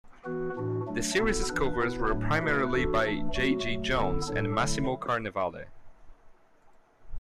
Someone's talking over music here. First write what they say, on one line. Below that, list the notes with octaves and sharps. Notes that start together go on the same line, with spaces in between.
The series's covers were primarily by J. G. Jones and Massimo Carnevale.
E3 B3 F#4 B4
A2 E3 D4 F#4
F#3 A3 D4
B2 B3 E4 A4
E3 D4 B4
B2 B3 E4 B4
A2 F#3 A3 D4
B2 A3 E4 B4
E3 D4 F#4 A4
E3 A3 D4
F#3 A3 F#4
B2 F#3 A3
D3 B3 E4 A4
A2 F#3 D4 A4
D3 F#3 A3 E4